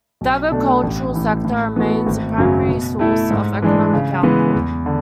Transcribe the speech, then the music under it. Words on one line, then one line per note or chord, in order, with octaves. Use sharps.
The agricultural sector remains a primary source of economic output.
B1
B2 A3 D4 A4
A1
A2 E3
A2
E3 B3 F#4 A4
G#1
F#2 C#3 F#3
B2
A3 E4 A4
G#2
E3 G#3 D4
C#3
E3 G#3 B3
E2
D3